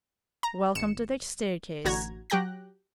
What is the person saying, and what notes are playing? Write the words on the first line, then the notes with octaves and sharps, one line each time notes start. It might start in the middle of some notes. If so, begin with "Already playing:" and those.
Welcome to the staircase.
A#5
G#1 C#7 E7
A1 D3 F#4 A#5 G#6
F#3 G4 G5 F#6 A#6